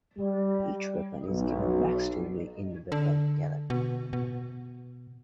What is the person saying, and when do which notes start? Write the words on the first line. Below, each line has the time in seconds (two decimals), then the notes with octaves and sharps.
Each weapon is given a backstory in the "Weapon Gallery".
0.18 G3
1.27 B1
2.92 D3
3.70 B2
4.13 B2